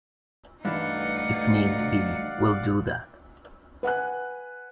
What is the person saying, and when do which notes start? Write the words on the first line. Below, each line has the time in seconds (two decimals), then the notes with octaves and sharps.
If needs be, we'll do that.
0.65 D2 G2 E3 D#4 D5 F5 F#5 C#7
3.83 B4 F#5 G#5 F#6